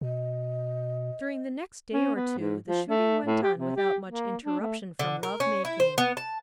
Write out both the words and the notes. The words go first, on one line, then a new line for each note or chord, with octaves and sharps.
During the next day or two the shooting went on without much interruption from love-making.
B2 D#5
C#4
B3
G#2
F3
A3
A2
G4
C3
G4
A#3
D4
A3
D3
A#4
C#4
E4
C5
B3
A5